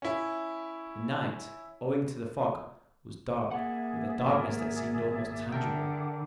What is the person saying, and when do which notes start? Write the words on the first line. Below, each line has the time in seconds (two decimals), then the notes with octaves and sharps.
The night, owing to the fog, was dark with a darkness that seemed almost tangible.
0.02 C#4 E4
3.51 A#3 G#4 D5 E5 F#5
4.27 G#1 A#4
5.52 D3 A4 A#4 G5